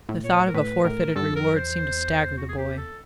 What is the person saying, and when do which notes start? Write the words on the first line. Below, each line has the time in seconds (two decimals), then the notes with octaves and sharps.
The thought of a forfeited reward seemed to stagger the boy.
0.09 A2
0.24 A#2 C#5
0.39 A2
0.47 A#4
0.54 A2 B4
0.84 A2 A#4
1.16 G2 A4
1.30 F2
1.36 A#4
1.45 F#2
1.56 C5
1.61 E2
2.37 F#4
2.49 G#4
2.57 G4
2.77 A4